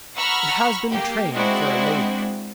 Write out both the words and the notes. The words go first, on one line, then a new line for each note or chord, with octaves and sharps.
It has been trained for a lady.
F#5 A#5 B5 C#6 E6 F6
A#3 G4
G#3 C4 D4 E4 F#4